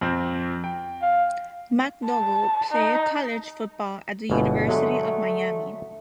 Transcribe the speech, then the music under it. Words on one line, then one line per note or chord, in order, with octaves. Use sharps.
McDougle played college football at the University of Miami.
F2 C4
G5
F5
A5
D#4
G1 B2 E3
D3 F#3 G#3 A3